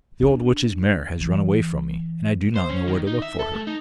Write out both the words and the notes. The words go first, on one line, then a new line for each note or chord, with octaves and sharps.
'The old witch's mare has run away from me, and I do not know where to look for her.'
D4
E3
C5
C#4
D#3
D#4
E5
A4
A3
D#4